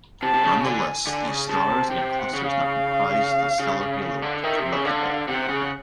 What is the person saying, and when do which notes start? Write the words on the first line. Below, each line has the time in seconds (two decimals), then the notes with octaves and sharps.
Nonetheless, these stars and clusters now comprise the stellar halo of the Milky Way.
0.23 C3 A5
0.34 C3
0.43 C#3
0.65 D3 G#5
1.07 D3 G#5
1.28 C#3
1.49 C#3 A5
1.70 C3
1.91 C3 G5
2.19 F#5
2.33 C#3
2.47 F5
3.59 C#3
3.81 C#3
4.02 C#3
4.22 D3
4.44 D#3 E5
4.59 C3
4.72 C#3
4.85 D3 F5
5.27 C3 F#5
5.49 C#3